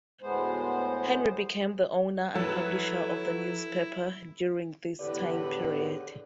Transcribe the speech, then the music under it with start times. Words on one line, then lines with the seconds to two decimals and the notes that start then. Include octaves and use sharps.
Henry became the owner and publisher of the newspaper during this time period.
0.22 D2 A2 G#3 B3 C5
2.35 F3 F#3 E4 A4 B4
4.99 E2 A2 D3 G4 B4 D5